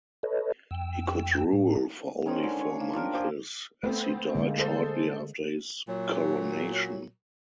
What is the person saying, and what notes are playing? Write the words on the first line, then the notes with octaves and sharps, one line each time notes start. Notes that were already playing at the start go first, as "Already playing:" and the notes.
He could rule for only four months, as he died shortly after his coronation.
A4 B4 C#5 D#5
F2 G5 E6
A2
D#3 C#4 D#4 C5
D3 D#3 G#3
C#5
A#3
D4 F4 G4 A#4
F3 G4 G#4
A3 B3 C4
D3 G#3 A#3
G#4 A4 C5
A#2 F#3